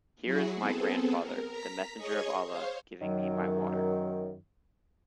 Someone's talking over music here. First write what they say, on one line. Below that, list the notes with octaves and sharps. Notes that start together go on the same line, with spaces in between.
Here is my grandfather, the Messenger of Allah, giving me my water.
F#3 E4 F#4 G#4
B3 C4 G#4 A4
A#4
A#5 B6
G#4 C#5 D#5 C#6 D#6
C5 C#5 F5
F#2 D#3 F#3